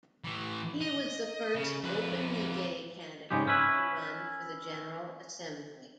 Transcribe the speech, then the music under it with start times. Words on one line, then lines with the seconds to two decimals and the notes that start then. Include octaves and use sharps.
He was the first openly gay candidate to run for the General Assembly.
0.24 A2 E3
0.81 D#5
1.55 C#3
1.83 F2 B4
3.31 G#2 C#3 G#3 G4
3.47 C#4 E4 B4